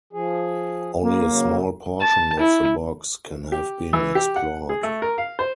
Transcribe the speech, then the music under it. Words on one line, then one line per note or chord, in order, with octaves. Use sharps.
Only a small portion of the bogs can have been explored.
F3 G#4
C#3 A#3
C#3 F#3
A5
E4
G4
E3
G4
F#5
G#4
A3
A#4
F5
C5